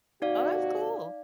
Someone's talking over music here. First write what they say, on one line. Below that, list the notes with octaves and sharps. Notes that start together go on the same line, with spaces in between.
Oh, that's cool.
D#2 C3 D#4 F#4 D5 F5